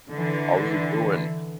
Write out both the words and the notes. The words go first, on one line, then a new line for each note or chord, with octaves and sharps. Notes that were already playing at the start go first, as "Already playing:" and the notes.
how you doin'?"
D3 E3